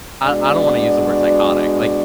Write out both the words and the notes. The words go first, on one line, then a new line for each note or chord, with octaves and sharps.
I I don't wanna use the word psychotic, like
B2 G#3 D4 F#4 D5